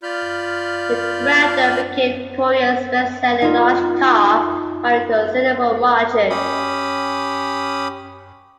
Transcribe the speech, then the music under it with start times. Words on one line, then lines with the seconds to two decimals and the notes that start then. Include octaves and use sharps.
The Grandeur became Korea's bestselling large car by a considerable margin.
0.03 F4 D5 B5 F6 G6
3.42 D#4 F4
6.30 C#4 G4 B5 D#6